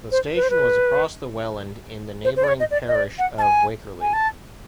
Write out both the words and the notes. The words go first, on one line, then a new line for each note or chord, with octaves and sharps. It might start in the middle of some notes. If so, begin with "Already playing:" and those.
The station was across the Welland in the neighbouring parish of Wakerley.
C5
B4
C5
B4
C5
C5
D5
C#5
D#5
D5
D#5
D5
F#5
A5
G#5
G#5
A5